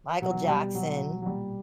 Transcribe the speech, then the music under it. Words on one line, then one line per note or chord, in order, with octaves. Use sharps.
Michael Jackson,
B2 F#3
B2 G3
B2 F#3
B2
F#3
A#2 G3